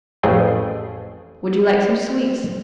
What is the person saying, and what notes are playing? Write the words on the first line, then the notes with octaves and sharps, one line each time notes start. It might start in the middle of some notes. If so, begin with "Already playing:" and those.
Would you like some sweets?
A1 F2 A3 G#4 B4 G5